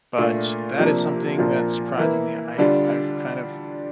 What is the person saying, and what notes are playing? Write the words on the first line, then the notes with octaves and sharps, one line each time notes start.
but that is something that surprisingly I I've kind of
A#2 A3 D4 F4
C3 F3 A#3 D4
A#2 F3 A#3 D4 F4
E3 A#3 E4
D3 G3 D4 F4